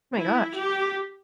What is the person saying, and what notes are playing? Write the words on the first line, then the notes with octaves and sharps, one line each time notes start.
My gosh.
E4
G4